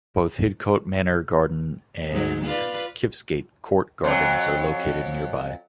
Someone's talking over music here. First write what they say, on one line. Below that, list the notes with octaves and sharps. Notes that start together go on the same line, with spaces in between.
Both Hidcote Manor Garden and Kiftsgate Court Gardens are located nearby.
G#2 F#3
F4 B4 D5
F2 F#3